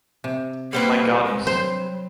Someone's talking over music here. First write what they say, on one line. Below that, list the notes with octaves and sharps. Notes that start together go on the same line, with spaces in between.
My goddess.
C3
G3 A#3 C4 B4
G#3
F#3 C5